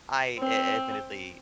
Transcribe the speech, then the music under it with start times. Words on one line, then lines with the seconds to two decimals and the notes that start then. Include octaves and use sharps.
I a admittedly,
0.39 C4